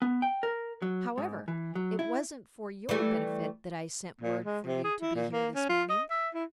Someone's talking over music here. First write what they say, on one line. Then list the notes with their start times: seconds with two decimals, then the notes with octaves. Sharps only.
However, it wasn't for your benefit that I sent word for you to be here this morning.
0.02 B3
0.22 G5
0.43 A#4
0.82 F#3
1.18 G#2
1.48 E3
1.75 F#3
1.99 E4
2.89 E3 G3 A3
4.21 A#2
4.44 G#3
4.66 C3
4.84 G#4
5.00 E4
5.15 A#2
5.33 A#3
5.55 C#4
5.69 F4
5.90 D#5
6.10 E5
6.34 E4